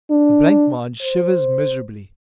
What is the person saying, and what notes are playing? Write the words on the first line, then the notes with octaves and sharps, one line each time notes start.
The blancmange shivers miserably.
D4
C5